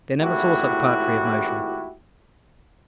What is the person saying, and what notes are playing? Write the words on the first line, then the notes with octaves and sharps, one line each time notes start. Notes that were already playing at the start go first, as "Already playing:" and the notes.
They never saw such poetry of motion.
G#1 A2 E4 F#4 G4